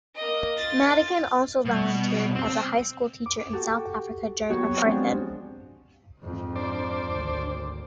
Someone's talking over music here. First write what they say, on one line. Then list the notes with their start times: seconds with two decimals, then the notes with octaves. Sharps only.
Madigan also volunteered as a high school teacher in South Africa during apartheid.
0.15 A#3 D#5
0.57 F4 A6
1.65 B2 G3
2.35 C4
3.26 D6
3.53 F#4 G4 A4
4.50 F#3 B3 F#4 G4 B4 C#5
4.83 F3 G#3 C4 D4 F4 F#4
6.19 F2 G#2
6.56 D4 C5 D5
7.12 G#1 D2